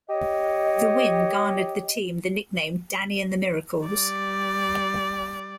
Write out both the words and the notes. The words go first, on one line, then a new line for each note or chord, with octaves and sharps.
The win garnered the team the nickname "Danny and the Miracles".
G4 C#5 D#5
G3 D5